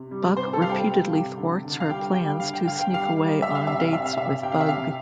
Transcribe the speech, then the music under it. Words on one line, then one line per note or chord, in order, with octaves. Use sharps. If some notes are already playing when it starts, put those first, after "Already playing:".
Buck repeatedly thwarts her plans to sneak away on dates with Bug.
Already playing: C3
G3
C3 C5
A4
G3 F5
G5
G3
C3
D3
D3
F5
G3 G5
G3 G5
D3 F5
G5
D3 F5
G5
G3 F5
G3
G3 E5
F5
C3 E5
F5
C3 E5
F5
C3 E5
C3 G5
F5
E5
C3 F5